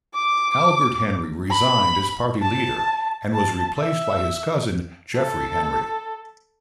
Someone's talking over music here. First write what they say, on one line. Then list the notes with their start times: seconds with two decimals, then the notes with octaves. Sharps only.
Albert Henry resigned as party leader, and was replaced by his cousin Geoffrey Henry.
0.14 D6
1.51 B5
2.42 A5
3.33 A5
3.78 E5
5.16 A4